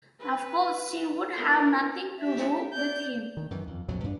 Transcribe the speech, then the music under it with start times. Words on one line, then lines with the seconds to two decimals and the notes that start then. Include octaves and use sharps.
Of course, she would have nothing to do with him.
0.19 B4
1.35 B3 E4 A#4
2.20 G4 E5
2.74 D5 G6
3.37 D#3
3.51 F#2 D#3 E3
3.67 F2
3.88 A#1 F2 B2 F#3
4.04 G2 D4